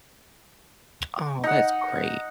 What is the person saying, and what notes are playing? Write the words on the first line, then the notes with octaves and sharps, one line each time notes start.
Aw, that's great.
D#4 F#5